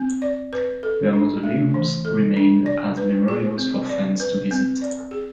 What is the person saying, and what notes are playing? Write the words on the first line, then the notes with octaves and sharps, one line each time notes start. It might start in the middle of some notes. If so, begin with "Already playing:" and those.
Their mausoleums remain as memorials for fans to visit.
Already playing: C4
D5
B4
A4
D4
A3
E3
A4
D4
D5
B4
G#4
C4
D5
B4
C4
D5
G#4